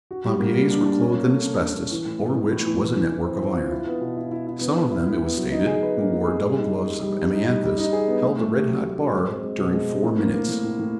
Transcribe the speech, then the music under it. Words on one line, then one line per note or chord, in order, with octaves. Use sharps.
The pompiers were clothed in asbestos, over which was a network of iron. Some of them, it was stated, who wore double gloves of amianthus, held a red-hot bar during four minutes.
F#4
G3
A#3
G3
D4
D4
C#4
A#3
A4
A4
C#4
A#3
E3
A2
B3
A2
A2
E3
E3
E3
E3
C4
C4
F4
E4
B3
B2
E4
E4
E4
B3
B3
E4
E4
B3
F#3
D#4
G#4
B4
A#3
A#3
G#4
G3
D#4
G3
G3
G3
G3
D#4
G3
G3
D#4
G#4
B3
A3
A3
G4
F#3
A3
F#3
G#3
C4
G#3
B2
G#3
C4
A2
A#3
A#3
A2
A2
A2